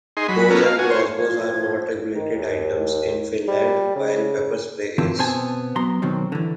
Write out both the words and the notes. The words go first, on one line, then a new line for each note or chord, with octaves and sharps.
Bows and crossbows are not regulated items in Finland, while pepper spray is.
D#4 G#4 C6
F#3 B5
B3 C#4 A4 A#4
F5
F#4 G#5
C5 C#5
F3 G#6
D#3
D#2
G3
C#3
D3 E3 C4 F4
B2 B3 C4 C5 G#5 A5
F#3 B3 A#5 C6
B2 D#3 F#3 C4
D3 E3